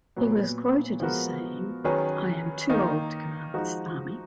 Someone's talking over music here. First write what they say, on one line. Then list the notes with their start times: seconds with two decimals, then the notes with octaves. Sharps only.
He was quoted as saying, I am too old to command this army.
0.16 A#2 F#3 B3
1.00 F3 G#3 B3 F#4 A#4
1.84 D#3 F#3 C#4 G#4 B4
2.69 D#3 A#3 D#4
3.54 F3 G#3 D#4 F#4